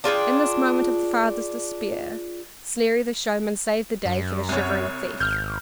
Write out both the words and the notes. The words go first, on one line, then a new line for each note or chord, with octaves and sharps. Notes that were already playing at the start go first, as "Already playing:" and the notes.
In this moment of the father's despair, Sleary the showman saved the day for the shivering thief.
D4 F4 G#4 G5
F#2
C2 C#5
G#1 F6 G6